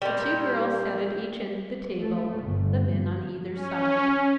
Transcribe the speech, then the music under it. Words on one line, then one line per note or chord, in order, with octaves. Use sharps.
The two girls sat at each end of the table, the men on either side.
A#2 G3
A3
G1
C#4